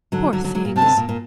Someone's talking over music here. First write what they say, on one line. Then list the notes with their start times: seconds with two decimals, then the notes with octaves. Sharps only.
"Poor things!"
0.12 D3 F#3
0.33 D3 F#3
0.44 D3 F#3
0.55 D3 F#3
0.65 A#2
0.76 C3 A5
0.82 D3
0.86 C3
0.97 A#2
1.09 A#2